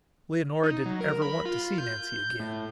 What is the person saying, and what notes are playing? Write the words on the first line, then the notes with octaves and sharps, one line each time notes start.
Leonora didn't ever want to see Nancy again.
D#4
F#3
A#4
B5
F4
G6
A2